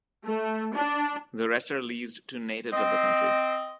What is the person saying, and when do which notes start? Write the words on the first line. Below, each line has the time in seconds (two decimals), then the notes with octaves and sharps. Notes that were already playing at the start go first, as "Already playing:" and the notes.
The rest are leased to natives of the country.
0.25 A3
0.75 D4
2.73 C4 D#5